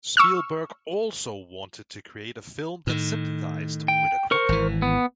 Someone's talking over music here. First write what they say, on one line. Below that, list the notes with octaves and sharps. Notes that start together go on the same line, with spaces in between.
Spielberg also wanted to create a film that sympathized with a crook.
C#6 E6 F6
A2 D#3
G5
A#4 C5 C#6
G#1 E3
B3